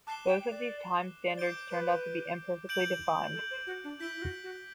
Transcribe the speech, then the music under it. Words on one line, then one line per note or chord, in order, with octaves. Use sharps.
Both of these time standards turned out to be imperfectly defined.
A5 D6 F#6 C7 E7 G7
G5
D5
D5
C5 D6 G6 D7 G7
B4
G6 D7 F#7
A4
C5
F#4
D4
E4 G6 B6 D7 G7
E4
F#4
F#4